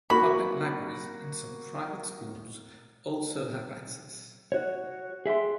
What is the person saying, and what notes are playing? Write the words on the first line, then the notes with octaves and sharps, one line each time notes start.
Public libraries and some private schools also have access.
A#3 F#4 B5
F#4 C#5
G#4 E5 G5 C6